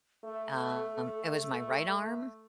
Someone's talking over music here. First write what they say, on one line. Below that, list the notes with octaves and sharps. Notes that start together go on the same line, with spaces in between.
Um, it was my right arm,
A3 A4